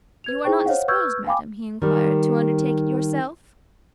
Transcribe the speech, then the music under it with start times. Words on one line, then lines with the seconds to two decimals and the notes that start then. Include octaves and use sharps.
"You are not disposed, madam," he inquired, "to undertake it yourself?"
0.24 B4 G#6 F7
0.44 D#4 E4 G#4 C5 G5 C#6
0.66 C5 C#5 D#5 F5 F#5
0.88 B4 C#6 E6 F6 G6 G#6
1.27 F5 G5 G#5 B5 D6
1.82 D#3 G3